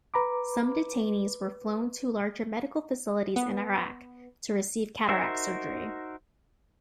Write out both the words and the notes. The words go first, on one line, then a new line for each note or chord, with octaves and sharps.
Some detainees were flown to larger medical facilities in Iraq to receive cataract surgery.
B4 A#5 B5 D6
B3
D#4 F#4 A#4 C5 E5